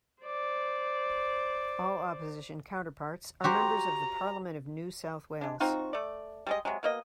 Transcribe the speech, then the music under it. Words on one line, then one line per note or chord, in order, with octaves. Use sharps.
All Opposition counterparts are members of the Parliament of New South Wales.
C5 D5
F#4 G4 C5 A#5
G#3 D4
C4 D#4 F4 F#4
A3 D5
G3 G#3 D#5
C3 F#3 G#3
B2 A#3 D#5